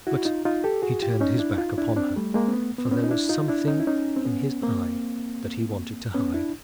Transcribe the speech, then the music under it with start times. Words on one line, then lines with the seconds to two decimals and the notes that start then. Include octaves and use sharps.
But he turned his back upon her, for there was something in his eye that he wanted to hide.
0.07 E4 F#4
0.25 D#4 F4
0.45 D#4 F4
0.64 G4 A4
0.82 F#4 G#4
1.02 F4 G4
1.20 C#4 D#4
1.39 D4 E4
1.58 D#4 F4
1.78 D4 E4
1.96 C4 D4
2.16 G3 A3
2.34 G#3 A#3
2.48 C4
2.53 A3 B3
2.78 B3
2.85 C4
2.91 B3 C#4
3.04 D#4
3.11 D4 E4
3.29 D#4 F4
3.48 D4 E4
3.67 C#4 D#4
3.80 E4
3.87 C#4 D#4
4.16 C4
4.25 B3 C#4
4.62 A#3 C4
6.14 B3 C#4
6.34 D4 E4